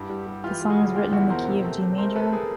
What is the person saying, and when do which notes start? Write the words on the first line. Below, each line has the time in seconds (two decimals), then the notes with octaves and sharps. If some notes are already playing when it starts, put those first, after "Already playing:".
The song is written in the key of D Major.
Already playing: G2 E4 F#4
0.10 G3
0.27 G3
0.44 E3 F4 G4
0.62 G3
0.70 F#4 G#4
0.78 D2
0.95 G#3 F4 G4
1.13 E2 E4 F#4
1.30 B2 A#4 C5
1.47 C3
1.64 A3
1.81 C3
1.98 A3 A#4 C5
2.15 A3 A4 B4
2.33 A3 G#4 A#4